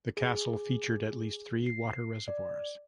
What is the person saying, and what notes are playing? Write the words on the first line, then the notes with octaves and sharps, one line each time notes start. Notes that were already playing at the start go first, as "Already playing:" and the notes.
The castle featured at least three water reservoirs.
G#4
C7
D5